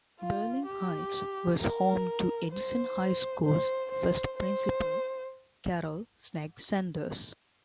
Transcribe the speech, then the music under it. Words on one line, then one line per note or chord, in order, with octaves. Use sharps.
Berlin Heights was home to Edison High School's first principal Carroll "Snag" Sanders.
F4
G4
A#4
C5
C5
C5
C5